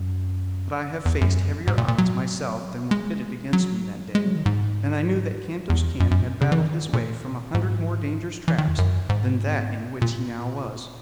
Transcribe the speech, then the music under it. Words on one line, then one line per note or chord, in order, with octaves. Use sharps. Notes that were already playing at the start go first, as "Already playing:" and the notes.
But I have faced heavier odds myself than were pitted against me that day, and I knew that Kantos Kan had battled his way from a hundred more dangerous traps than that in which he now was.
Already playing: F#2
E2
F#2
G#2
A#2
A#2
F#3
G#3
F#3
G#3
F#3
D#3
G#2
E2
F#2
F#2
A#2
C#3
E3
D#3
A#2
G#2
E3
D#3
E2
F#2
G#2
A#2